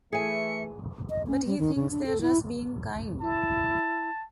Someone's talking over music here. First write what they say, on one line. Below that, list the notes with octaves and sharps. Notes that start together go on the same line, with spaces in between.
But he thinks they are just being kind.
E3 A3 G#4 E5 G#5 C#7
D#5
C#4
G3
D#3
C#3
D4
A4
E4
E4 A5